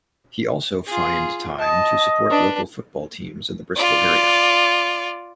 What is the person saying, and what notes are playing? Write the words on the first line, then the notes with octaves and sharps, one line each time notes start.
He also find time to support local football teams in the Bristol area.
F4 G#4
D#5 A5
D4 B4
F4 D5